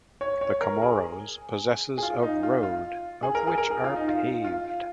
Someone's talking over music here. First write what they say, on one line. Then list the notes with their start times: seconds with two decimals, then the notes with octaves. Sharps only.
The Comoros possesses of road, of which are paved.
0.21 C#5
0.41 C#5
0.61 A#4
0.82 G#4
1.98 G#4
2.03 F4
2.23 D#4
2.43 F4
2.63 F4
3.23 G#4
3.35 A#4
3.47 G#4
3.58 A#4
3.70 G#4
3.84 F4
3.96 D#4
4.08 F4
4.44 F4